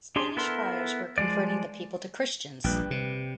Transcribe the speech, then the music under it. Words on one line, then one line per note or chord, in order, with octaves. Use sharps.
Spanish friars were converting the people to Christians.
D4 G4 G#4 C6
B3 E4 A4 A#4 C6
F3 G#3 D5
A#1 G3 B4 G5
C3